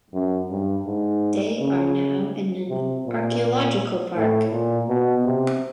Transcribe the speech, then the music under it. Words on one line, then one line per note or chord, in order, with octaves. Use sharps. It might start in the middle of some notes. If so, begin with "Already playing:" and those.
They are now in an "archaeological park".
F#2
G2
G#2
C#3
C3
A#2
A2
A#2
B2
C3